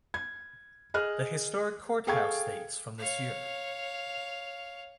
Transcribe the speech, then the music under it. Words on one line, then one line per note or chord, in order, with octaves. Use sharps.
The historic courthouse dates from this year.
G#6
G#4 D#5 F6 F#6
G#4 A4 F5 G5 C#6 G#6
C#5 F5